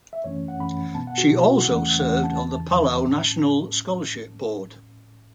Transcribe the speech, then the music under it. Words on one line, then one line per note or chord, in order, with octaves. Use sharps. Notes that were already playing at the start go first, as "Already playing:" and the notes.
She also served on the Palau National Scholarship Board.
E5
F#2 E3 A3 C#4 C#5
F#5
F#2 E3 A3 C#4 B5
C#2 B2 B3 A5
F#5
F#4
C#2 B2 B3 E4
F#4
E2 C#3 E3 A3 C#4 F#5
E2 C#3 E3 A3 C#4 F#5
F#5
A5
E2 C#3 E3 A5
E2 C#3 E3
A2 F#3 C#4